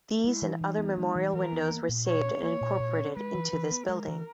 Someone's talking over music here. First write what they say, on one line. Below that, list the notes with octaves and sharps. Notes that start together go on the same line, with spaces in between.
These and other memorial windows were saved and incorporated into this building.
G#3 E4
E3
E3 D#4
B3
G#3 D#4
E3
E3 A#4
B3
A#3
A#2
A#2 C#5
C#4
A#3 C#5
A#2
A#2
C#4
G#3 B4
E3
E3
B3
G#3 A#4
E3